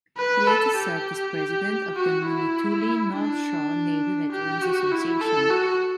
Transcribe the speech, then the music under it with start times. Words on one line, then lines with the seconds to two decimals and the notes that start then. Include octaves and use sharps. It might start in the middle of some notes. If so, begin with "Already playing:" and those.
He later served as president of the Manitoulin-North Shore Navy Veterans Association.
0.18 B4
0.47 A4
0.77 G4
1.96 F#4
2.25 E4
3.14 D4
4.32 G4
4.62 F#4
4.92 E4
5.21 A4
5.51 F#4